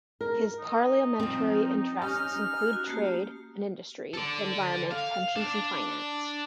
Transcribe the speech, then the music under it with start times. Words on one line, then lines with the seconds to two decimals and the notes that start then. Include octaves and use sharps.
His Parliamentary interests included trade and industry, the environment, pensions and finance.
0.21 A#4
0.59 D#4
1.20 F3 C4
2.02 C#4 G4 F6
2.73 F#4
2.88 A3 A#3 G4
4.14 A4 D5
4.91 F5
5.36 D4